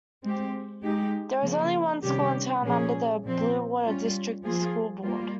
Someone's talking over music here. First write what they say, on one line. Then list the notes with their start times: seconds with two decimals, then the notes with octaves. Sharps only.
There is only one school in town under the Bluewater District School Board.
0.23 G#3 C4 G4
0.82 G#3 D#4 G4
1.42 C#3 F3 A#3
2.03 C3 D#3 G3 C#4 G4
2.63 A#2 F3 A#3 C#4 G#4
3.24 A#2 F3 C4
3.84 G3 C#4 F4
4.43 F3 A#3 F4 G#4
5.03 G3 A#3 F4